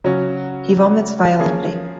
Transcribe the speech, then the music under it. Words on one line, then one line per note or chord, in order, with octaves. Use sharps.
He vomits violently.
C#3 F#3 C#4 F#4
F3 A#3 C#4 G#4